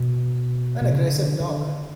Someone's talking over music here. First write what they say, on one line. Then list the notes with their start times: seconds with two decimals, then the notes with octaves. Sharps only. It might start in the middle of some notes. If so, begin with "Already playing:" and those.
An aggressive dog.
Already playing: B2
0.81 B2
0.92 C#3
1.16 D3
1.40 D3